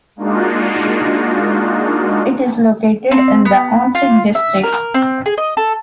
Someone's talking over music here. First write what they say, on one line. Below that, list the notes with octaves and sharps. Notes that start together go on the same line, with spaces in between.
It is located in the Ahuntsic district.
G#3 A#3 D4 D#4 F4 F#4
C4
B3
F4
E5
A#4
C4
G#4
D#5
A4